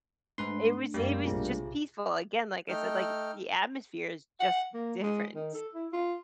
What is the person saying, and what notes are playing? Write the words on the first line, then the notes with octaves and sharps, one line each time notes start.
it was it was just peaceful again, like I said, like, the atmosphere is just different,
G#2 A3 D4 B4 C6
F#2 G3 A#3
B1 C3 F4 G#4
A3 D#4 G5 F6
F#5
A#3
G#3
D#3
A4
E4
F4